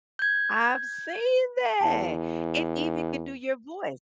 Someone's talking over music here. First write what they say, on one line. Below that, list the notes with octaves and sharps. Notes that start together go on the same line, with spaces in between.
I've seen that! It even can do your voice.
G6 G#6
E2 A5